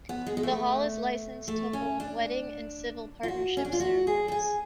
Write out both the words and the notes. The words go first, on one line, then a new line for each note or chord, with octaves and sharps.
The Hall is licensed to hold wedding and civil partnership ceremonies.
B3
G#3
G#3
A3
A3
C#4
D4
F4
F#4
C#4
D4
F4
F#4
G#4
A4
G#4